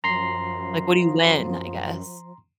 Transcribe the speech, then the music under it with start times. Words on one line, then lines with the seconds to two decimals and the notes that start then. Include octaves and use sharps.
Like, what do you win, I guess?
0.04 F#2 F3 A#5 C6 C7